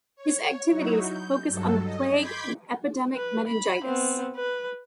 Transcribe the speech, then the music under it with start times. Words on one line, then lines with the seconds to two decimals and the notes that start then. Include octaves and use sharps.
His activities focus on the plague and epidemic meningitis.
0.16 C#5
0.70 F#3 D#4 E4 F#4
1.02 G6
1.47 G2 F#3 A4
1.81 D#5
2.15 B5 C6 D6 G6 G#6 B6
3.16 B4
3.47 B5
3.84 B3 C4
4.35 B4